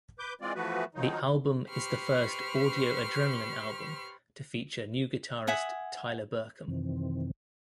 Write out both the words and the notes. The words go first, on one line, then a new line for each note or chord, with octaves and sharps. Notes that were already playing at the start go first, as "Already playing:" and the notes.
The album is the first Audio Adrenaline album to feature new guitarist, Tyler Burkum.
B4 D6 G6
E3 G#3 C4 F4 D5
E3 F3 A3 B3 F#4 B4
D#3 F3 F#3 D#4
G4 B4 C5 B5 C#6 F6
E5 F#5 G#5 D#6
F#2 C3 D#3 E3 C4